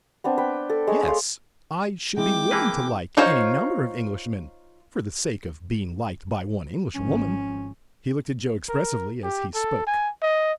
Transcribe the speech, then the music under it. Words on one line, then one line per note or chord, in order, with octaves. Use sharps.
"Yes--I should be willing to like any number of Englishmen for the sake of being liked by one Englishwoman." He looked at Joe expressively as he spoke.
B3 C4 D4
B4 G5
A4
G#3 C#5
A4 F5 C6 D6
G#3 C4 E4 G5 D6
E3 A#3 B4 G#5 A5
D#4 F4 C5 C#5
G#1 F3 C#4
A#4
G4
A4
G#5
D#5